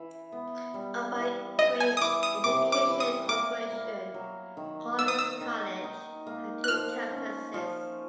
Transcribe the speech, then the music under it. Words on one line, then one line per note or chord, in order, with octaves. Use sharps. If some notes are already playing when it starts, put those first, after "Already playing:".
Owned by Career Education Corporation, Collins College had two campuses.
Already playing: E3
B3
G3
E3
E3 D#5
G#5
D#6
E3 D6
D#6
C3 D6
D6
E3
D#6
A#3 D6
A#3
F#3
D#3
A#3 E6
D#6
E6
D#3
D#4
A#3
F#6
F3 F6
C#4
F3